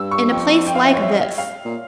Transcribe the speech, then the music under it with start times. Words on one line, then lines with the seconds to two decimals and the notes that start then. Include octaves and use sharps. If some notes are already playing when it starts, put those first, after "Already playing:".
"In a place like this."
Already playing: G2 E6
0.11 C#6
0.30 F2 G5
0.66 G5
0.75 F5
0.84 E5
0.93 C#5
1.02 E5
1.38 F5
1.65 A#2